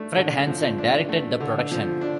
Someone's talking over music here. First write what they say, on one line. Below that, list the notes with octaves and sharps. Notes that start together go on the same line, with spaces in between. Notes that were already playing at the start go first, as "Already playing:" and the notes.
Fred Hanson directed the production.
Already playing: A3 D4
D3
F3
D4
A3
D3
F3
D4